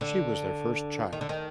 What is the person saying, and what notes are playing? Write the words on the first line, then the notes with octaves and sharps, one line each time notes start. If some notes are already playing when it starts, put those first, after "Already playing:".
She was their first child.
D3
D#3
D3
D#3